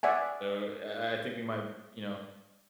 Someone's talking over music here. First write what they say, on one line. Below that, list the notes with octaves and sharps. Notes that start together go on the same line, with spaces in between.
so I I think we might, you know,
D5 E5 F#5 G#5